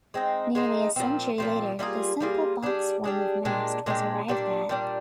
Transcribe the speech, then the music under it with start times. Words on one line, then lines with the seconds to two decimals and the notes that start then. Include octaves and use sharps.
Nearly a century later, the simple box form of mast was arrived at.
0.14 G#3 C4 D#4
0.55 G#3 C4 D#4
0.96 A#2 F3 C4
1.38 A#2 F3 C4
1.79 G3 A#3 F4 G#4
2.20 G3 A#3 F4 G#4
2.62 G3 D4 G#4
3.04 G3 D4 G#4
3.45 A#2 G#3 D4 G4
3.86 A#2 G#3 D4 G4
4.28 A#2 G3 D4
4.69 A#2 G3 D4